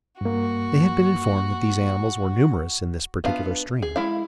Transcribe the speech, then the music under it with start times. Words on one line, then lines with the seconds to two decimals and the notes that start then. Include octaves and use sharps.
They had been informed that these animals were numerous in this particular stream.
0.21 G2 A#3 F#4
3.24 B3 D4 F4 F5
3.82 G#4
3.96 G#3 E4 F5